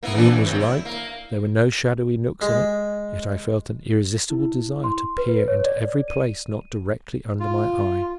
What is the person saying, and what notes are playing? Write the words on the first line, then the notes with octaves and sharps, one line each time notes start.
The room was light, there were no shadowy nooks in it, yet I felt an irresistible desire to peer into every place not directly under my eye.
A#3 B3 E4
E3 B3 D4
C3 E3
A2 C3 F#3
E4
A#3
G#3
E4
C6
B4
C#5
D5
D#7
F4